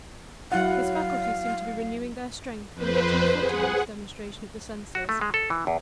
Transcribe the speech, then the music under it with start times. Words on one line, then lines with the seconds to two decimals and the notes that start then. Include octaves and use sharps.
His faculties seemed to be renewing their strength from getting a footing on this demonstration of the senses.
0.52 F#3 E4 F5 F#5
2.74 F2 B4 C5
3.37 G#4 F#5
4.95 F#4
5.09 A3
5.21 G#3
5.34 A4
5.50 E3
5.67 E2